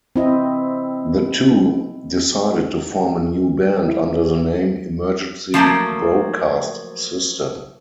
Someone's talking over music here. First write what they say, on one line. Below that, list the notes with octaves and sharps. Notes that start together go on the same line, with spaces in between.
The two decided to form a new band under the name Emergency Broadcast System.
C4 E4 D#5
E4
F3 F#3 A3 A#3